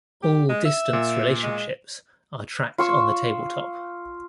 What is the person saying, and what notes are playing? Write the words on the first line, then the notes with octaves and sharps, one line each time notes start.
All distance relationships are tracked on the tabletop.
G4
G#3
E5
A#2
G#3
F4 C#6 E6